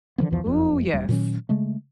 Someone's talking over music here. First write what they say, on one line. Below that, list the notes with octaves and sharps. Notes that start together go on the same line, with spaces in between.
Ooh, yes.
D3 D#3 F3 B3
B1 E2 E3 F3
F#1 F2
D#1 G3
A#2 D#3 F#3 C#4
C#3 G#3 A3